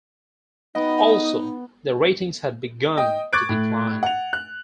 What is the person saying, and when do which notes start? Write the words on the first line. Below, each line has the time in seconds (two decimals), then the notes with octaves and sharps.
Also, the ratings had begun to decline.
0.75 B3 D#4 D#5 G5
2.97 D#5 G5 D#6
3.33 C#6 D6 F#6 G#6 A6 D7
3.49 A2
4.03 F#5 F7
4.33 F#6